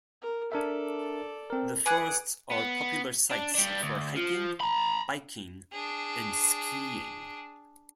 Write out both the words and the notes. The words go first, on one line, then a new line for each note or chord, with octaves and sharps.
The forests are popular sites for hiking, biking and skiing.
A#4
D4 A4 A#4 D5 E5
C4 A#4
G#4 B4 D5 F#5
B3
D4
G3 D4
D2
F3
A#5 B5
D4 G#4